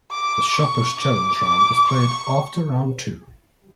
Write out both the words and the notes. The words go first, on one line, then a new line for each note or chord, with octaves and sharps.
The "Shopper's Challenge Round" was played after round two.
D6
C#6
D6
D6
C#6